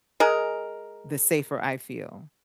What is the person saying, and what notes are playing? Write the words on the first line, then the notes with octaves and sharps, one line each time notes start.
the safer I feel.
G#3 G#4 A#4